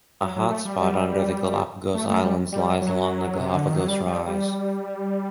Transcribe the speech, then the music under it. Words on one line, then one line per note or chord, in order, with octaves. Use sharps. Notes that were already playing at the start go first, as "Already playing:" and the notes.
A hotspot under the Galapagos Islands lies along the Galapagos Rise.
F#3
F#3
A3
G3
G3
A3
A3
G3
G3
F#3
C3
D3
D#3
F#3
G3
G3
G3